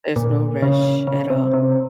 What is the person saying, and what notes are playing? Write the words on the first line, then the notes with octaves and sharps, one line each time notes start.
There's no rush, at all.
A#2
C#3
C#3
C3
C3